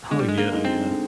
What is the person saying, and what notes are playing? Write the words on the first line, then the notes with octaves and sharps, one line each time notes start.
Oh yeah, yeah.
D3 G#3
G3
G#3
A#3
G#3 D#4
C4
D3